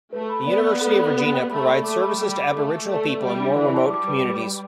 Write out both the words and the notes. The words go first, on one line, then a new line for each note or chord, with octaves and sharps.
The University of Regina provides services to Aboriginal people in more remote communities.
A3 B4
B5
B3 D5
D5
A4
D5
G4
G5
A3 B5
D5
A3 D6
B5
G3 A4
D6
A3 E5
E5
A3 D5
B4
G3 E5
D4
E3 D5
A5
G3 D6
B4
B4
G5